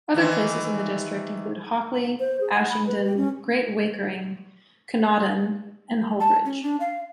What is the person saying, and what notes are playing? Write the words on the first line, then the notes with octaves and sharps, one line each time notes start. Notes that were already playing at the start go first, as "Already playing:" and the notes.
Other places in the district include Hockley, Ashingdon, Great Wakering, Canewdon and Hullbridge.
D#3 E3 C4
C5
G#4
F#5
B5
B4
G4
C#4
A5
C#4
D4
F5